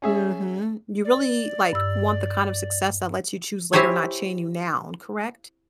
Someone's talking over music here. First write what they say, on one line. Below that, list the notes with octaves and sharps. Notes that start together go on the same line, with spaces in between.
Mhm, you really, like, want the kind of success that lets you choose later, not chain you now, correct?
C#4 G#4 E5
D5
G2 E6
C4 E4 G4 C5 C#5 G#5